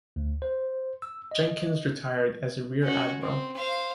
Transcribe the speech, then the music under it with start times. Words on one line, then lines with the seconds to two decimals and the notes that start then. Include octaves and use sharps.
Jenkins retired as a Rear Admiral.
0.16 D2
0.42 C5
1.02 E6
1.31 D#5
2.82 C#4 F#4
3.22 C4
3.55 C5 F5